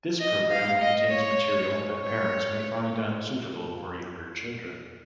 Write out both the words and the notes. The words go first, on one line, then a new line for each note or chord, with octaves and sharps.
This program contains material that parents may find unsuitable for younger children.
D#5
F5
D#5
C#5
C#5